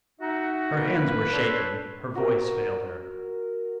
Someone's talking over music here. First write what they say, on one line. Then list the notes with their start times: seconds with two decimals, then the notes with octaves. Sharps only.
Her hands were shaking, her voice failed her.
0.21 D#4 F#4 E5 F#5
0.75 A#3 B4
1.32 D4 A4 C5 C#5
2.15 F#4 A#4